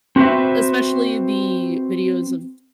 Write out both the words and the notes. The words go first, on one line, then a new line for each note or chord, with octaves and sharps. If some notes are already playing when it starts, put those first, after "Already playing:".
especially the videos of
C4 F#4 B4 C5 E5